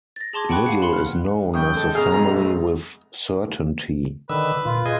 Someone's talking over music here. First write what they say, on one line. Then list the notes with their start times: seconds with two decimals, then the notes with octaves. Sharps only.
Little is known of the family with certainty.
0.16 A6 A#6
0.33 G#4 A5 C6 D6 G#6
0.49 F#5 G5 B5 C#6 F#6
0.64 F5 F#5 F#6
0.82 F5 B5 C6 C#7
0.93 F6 F#6
1.54 F#2 G5 C#6 D#6
1.75 G#3 A4
1.95 F#2 B2 G#4 A#5 F6
2.11 G#1 F2 G#5
2.28 B1 G#3 A3
4.29 D3 D#3 B4 E6
4.65 A#2 F4
4.86 G#4 D#5